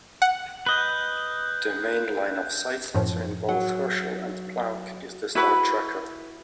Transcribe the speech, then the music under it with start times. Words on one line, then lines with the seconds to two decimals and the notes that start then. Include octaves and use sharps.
The main line-of-sight sensor in both "Herschel" and "Planck" is the star tracker.
0.22 F#5
0.66 B4 D#5 F#6 G6
2.95 F#2 A2 F3
3.49 F#3 F#5
5.35 E4 F#4 B4